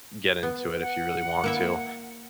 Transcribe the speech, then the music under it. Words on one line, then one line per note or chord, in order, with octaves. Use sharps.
get into it if you really want to.
B3
F#5
A#3 E4 E5